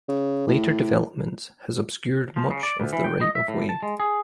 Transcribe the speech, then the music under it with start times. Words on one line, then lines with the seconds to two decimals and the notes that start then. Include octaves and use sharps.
Later development has obscured much of the right of way.
0.08 C#3
0.48 A2
2.36 F3
2.51 C#3
2.63 D5
2.80 D2
2.93 E3
3.04 G5
3.21 D#5
3.35 E5
3.48 A2
3.69 A5
3.83 G#3
4.00 G#4